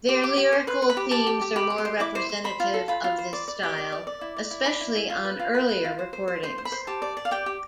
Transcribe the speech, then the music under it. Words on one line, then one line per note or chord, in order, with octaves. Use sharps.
Their lyrical themes are more representative of this style, especially on earlier recordings.
G4
G4 D6
G4
C5
B4 C6
B4
B5
G4
G4 A5
G4
G4
G4 B5
G4
C6
C5
E4 D6
C5
C5
C5 B5
F4
A4
F4 B5
F4
C5
D5
D5
G4
D5
D5
D5
E4
D5
E4
D5 B5
E4
E4
F4
B4
F4
B4 B5
B4
F4
C5
C5
C5
C5 C6
C5
B5
C5
G4 A5
D5
D5
F5
G4 G5
G4